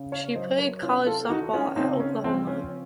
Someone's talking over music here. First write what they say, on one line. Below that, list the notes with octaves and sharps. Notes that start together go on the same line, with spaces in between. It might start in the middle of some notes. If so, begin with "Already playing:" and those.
She played college softball at Oklahoma.
Already playing: C#3
C#5 F5
F#3 C5 D#5
A#4 C#5
C3 C#4 F4
F4 A4
D#3 D#4 F#4
C#4 F4
C#3 C4 D#4
C#4
F3 C4
C#4